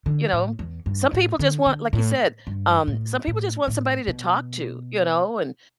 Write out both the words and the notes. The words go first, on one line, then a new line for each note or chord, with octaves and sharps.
you know. Some people just want, like you said um, some people just want somebody to talk to, you know, and,
D3
A2
E2
G2
A2
D3
D3
A2
G2
A2
A2
A2
B2